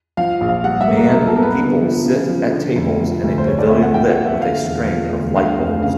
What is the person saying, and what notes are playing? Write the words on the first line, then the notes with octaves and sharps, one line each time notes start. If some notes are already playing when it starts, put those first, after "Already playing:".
Man people sit at tables in a pavilion lit with a string of lightbulbs.
F3 F5
A#1
F5
G3 F#5
E5
A#3
A#4
F#3 A#4
A4
B3 A#4
B4
D3
F3
C#3
F3
D3
F1
F3
D2
C5
A3 C#5
D5
C4 E5
F#5
F3 G5
F#5
A#3
E5
D3 F5
E1
F3
D2
D3 F5
F1
C#3 F5